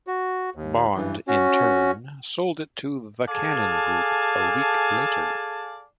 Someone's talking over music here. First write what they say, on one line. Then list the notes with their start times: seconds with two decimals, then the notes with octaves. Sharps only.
Bond, in turn, sold it to The Cannon Group a week later.
0.07 F#4
0.55 D#2
0.95 G2 E3
1.28 C#4 F#4
3.29 G#4 A4 D5 F5 G#5 A5